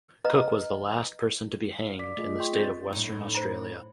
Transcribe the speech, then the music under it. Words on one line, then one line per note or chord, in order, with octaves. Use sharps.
Cooke was the last person to be hanged in the state of Western Australia.
B4 D#5 A#5
F5
D5 D6 B6
A3 F4 G#4 D#5
D#5 G5 C6 C#6
C4 G4 C5 D5 G6 A6
F#2 A2 D#4
E4 C5